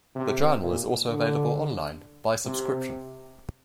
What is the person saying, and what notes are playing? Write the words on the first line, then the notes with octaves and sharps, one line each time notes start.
The journal is also available online by subscription.
C3
A#2
D3
C3